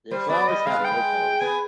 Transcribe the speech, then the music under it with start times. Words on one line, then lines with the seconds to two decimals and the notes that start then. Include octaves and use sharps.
Their flowers have no petals.
0.11 G3 C5
0.29 B3 D5
0.49 G3 D#5
0.66 G#3 F5
0.79 B3
0.85 G5
0.92 G#3
1.40 B3 G#5